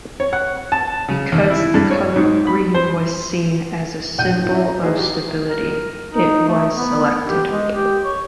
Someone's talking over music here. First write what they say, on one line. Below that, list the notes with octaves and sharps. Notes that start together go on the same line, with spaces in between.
Because the color green was seen as a symbol of stability, it was selected.
C#5
F#5
A5
C#3
D#2
E4
G2
C#5
G#2
B5
C5
D1 A#1 F#5 G6 D#7
F3 E4
C#4 D5 E5
A#5
D#3 A3 D#4 G#4 B4 C5
F#4 G4
A#4
D#4
A3
B3
G4
G#3
G4
C#5